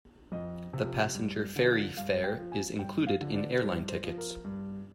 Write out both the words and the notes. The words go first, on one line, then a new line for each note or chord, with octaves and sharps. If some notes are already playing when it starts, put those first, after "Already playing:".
The passenger ferry fare is included in airline tickets.
F2 D#5
C3 F3
G2
D3 F3
G2 F5
G5
F3
G#5
G2 G5
F5
D3 F3
D5
G2 C5
C5
F3
A#4
G2